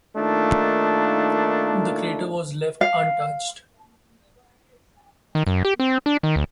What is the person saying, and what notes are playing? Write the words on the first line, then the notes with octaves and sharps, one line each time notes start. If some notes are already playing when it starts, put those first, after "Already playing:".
The crater was left untouched.
D#3 A3 A#3 D4 D#4 F4
F5
D#3
F#2
G4
C4
D4
D#3
D2